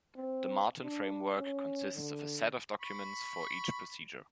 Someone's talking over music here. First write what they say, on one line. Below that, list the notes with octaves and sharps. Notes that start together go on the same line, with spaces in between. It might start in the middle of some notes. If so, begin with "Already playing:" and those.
The Martin framework consists of a set of documents for each procedure.
C4
D4
C#4
D3
B5 C#6